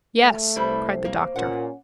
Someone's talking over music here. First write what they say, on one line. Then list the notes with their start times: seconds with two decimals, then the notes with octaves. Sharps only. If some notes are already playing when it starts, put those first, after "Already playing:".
"Yes," cried the doctor.
0.18 A3
0.56 C2 G3 E4 B4 C5
1.05 A#3
1.36 A#2 C#4 F#5